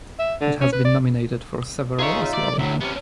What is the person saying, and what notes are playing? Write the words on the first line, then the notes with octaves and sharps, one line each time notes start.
It has been nominated for several as well.
E5
D3
C#4
B4
D5
D#4 F4 G#4 C#5 E5
D5
D2 A2 F#3 E5
C3 B3 C#4